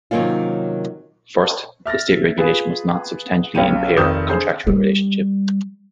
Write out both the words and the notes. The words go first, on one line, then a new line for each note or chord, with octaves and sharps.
First, the state regulation must not substantially impair a contractual relationship.
C3 D#3 F#3 A#3 C#4 F4
E5 F6 A6 A#6
F4 G#4 B4
B1 C#3 C#5 G5 D#7
F1 D#3 D#6 G6 E7
D3 G#4 C5
G3